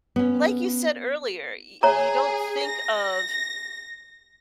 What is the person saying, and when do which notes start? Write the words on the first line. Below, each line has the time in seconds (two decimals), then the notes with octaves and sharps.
like you said earlier, y you don't think of
0.16 B3 C#4
1.83 G#4 C#5 A#5
2.66 A#6